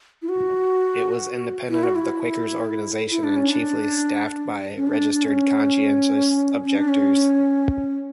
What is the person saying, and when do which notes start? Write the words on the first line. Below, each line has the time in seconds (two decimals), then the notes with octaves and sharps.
It was independent of the Quakers' organisation and chiefly staffed by registered conscientious objectors.
0.22 E4
0.29 F#4
1.70 E4
1.83 F#4
1.95 E4
3.11 E4
3.24 D4
3.36 C#4
3.49 D4
4.77 C#4
4.87 D4
5.14 D4
5.23 C#4
6.64 C#4
6.76 D4
6.88 C#4